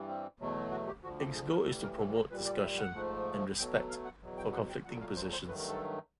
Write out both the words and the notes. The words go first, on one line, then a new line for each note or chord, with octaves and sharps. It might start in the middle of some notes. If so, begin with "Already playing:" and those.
Its goal is to promote discussion and respect for conflicting positions.
Already playing: G2 E3 G3
C4
E2 B2 F#3 A3
F#4
G4
D2 D3 F3 F#4
G4
G#4
A#4
A2 E3 G3 A4
A#4
A4
A#4
A#2 G3 B4
D5
E5
F#5
G#2 F3 A3
B2 F#3 A3 G5
F#5
F5
F#5
E2 B2 F#3
G5
F#5
G5
A#2 F#3 A3 F#5
F5
C5
C5
G2 D#3 F#3 A3 B4
A#4
A4